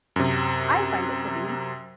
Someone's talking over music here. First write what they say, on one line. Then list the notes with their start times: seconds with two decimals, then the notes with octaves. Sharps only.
I find it to be.
0.16 F#2 C3